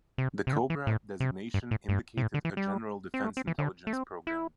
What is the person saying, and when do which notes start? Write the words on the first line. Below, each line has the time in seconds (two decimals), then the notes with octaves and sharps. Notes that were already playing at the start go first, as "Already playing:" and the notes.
The "Cobra" designation indicated a General Defense Intelligence Program.
0.18 C3
0.47 C3
0.53 D3
0.70 E3
0.87 A2
1.20 C3
1.54 G2
1.71 A2
1.89 G2
2.17 C3
2.22 A2
2.34 D3
2.45 E3
2.57 G3
3.14 C4
3.25 A3
3.37 C4
3.47 E3
3.58 D3
3.87 A3
3.93 C4
4.27 E4